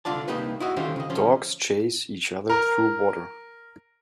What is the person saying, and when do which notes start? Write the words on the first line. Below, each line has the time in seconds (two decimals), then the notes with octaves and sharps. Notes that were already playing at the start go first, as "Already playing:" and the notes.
Dogs chase each other through water.
0.05 C2 D3 F4 D5 A5
0.28 C2 A#3 D#4 G4 B4
0.60 E4 F#4 D#5
0.76 D3 D#3 C#4 F4 G4 C5
0.96 C#3 D#5
1.10 D2 F3 C#4 C5
2.49 A#4